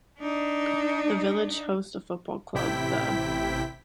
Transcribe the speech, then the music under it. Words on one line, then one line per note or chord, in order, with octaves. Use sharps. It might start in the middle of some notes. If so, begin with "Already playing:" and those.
The village hosts a football club, the.
D4 D#4
A1 C3 E4 G5 B6